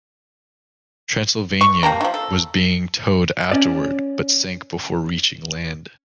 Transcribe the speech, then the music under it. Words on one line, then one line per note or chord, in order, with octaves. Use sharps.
"Transylvania" was being towed afterward but sank before reaching land.
C#6
A#3 G4 A5 A#5
D#3 F3
A4
C#4 D5